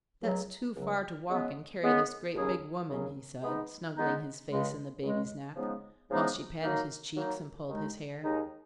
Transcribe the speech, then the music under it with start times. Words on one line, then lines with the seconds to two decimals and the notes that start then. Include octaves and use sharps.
"That's too far to walk and carry this great big woman," he said, snuggling his face in the baby's neck, while she patted his cheeks and pulled his hair.
0.21 C#2 C#3 F#3
0.74 C#2 C#3 F#3
1.29 C#3 G#3 B3
1.82 C#3 G#3 B3
2.35 D#2 C#3 F#3 C#4 G#4
2.89 D#2 C#3 F#3 C#4 G#4
3.42 G#3 B3 D#4
3.95 G#3 B3 D#4
4.49 C#2 C#3 G#3
5.01 C#2 C#3 G#3
5.55 C#3 F3 G#3 B3 D#4
6.08 C#3 F3 G#3 B3 D#4
6.62 F#3 A#3 D#4
7.16 F#3 A#3 D#4
7.69 D#2 D#3 G#3 D#4
8.22 D#2 D#3 G#3 D#4